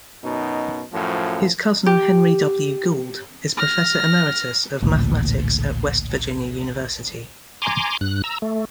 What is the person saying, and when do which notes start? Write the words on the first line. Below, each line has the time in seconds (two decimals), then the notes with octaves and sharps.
His cousin Henry W. Gould is Professor Emeritus of Mathematics at West Virginia University.
0.23 F#2 B2 D#4
0.92 F#2 A2 F3
1.86 G4
3.57 F6 A#6
4.82 A1 D2 A#2
7.62 G#5 A#5 C6 D6
8.01 G2 F#6
8.24 A#5 E6
8.42 A3